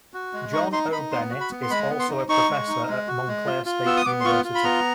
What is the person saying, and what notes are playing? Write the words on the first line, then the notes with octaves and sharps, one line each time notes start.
John O. Bennett is also a professor at Montclair State University.
F#4
G#3
D#4 C#6
D#4 C6
D#4 B5
B3 C6
F#4
B5
B3
C6
G#3 B5
B3
C6
D#4
D#4 C#6
G#3
D#4
G#3
F#4
G#3
F4
F4
B3 E6
D#6
B3 D6
C6
F4 C#6
F4
B5
B3 A#5